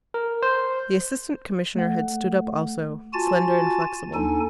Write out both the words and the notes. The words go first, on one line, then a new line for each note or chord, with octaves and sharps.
The Assistant Commissioner had stood up also, slender and flexible.
A#4
C5
A3 F#5
F4 F#4 G#5 A5 A6
D#2 D4 D#4 A4 G#5